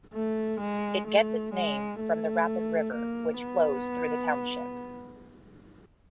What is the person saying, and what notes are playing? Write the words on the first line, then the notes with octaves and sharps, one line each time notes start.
It gets its name from the Rapid River which flows through the township.
A3
G#3
A3
G#3
A3
A#3
B3